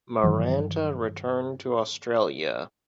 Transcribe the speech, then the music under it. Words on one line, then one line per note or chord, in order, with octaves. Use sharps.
Maranta returned to Australia.
G2 D#3 E3 F#3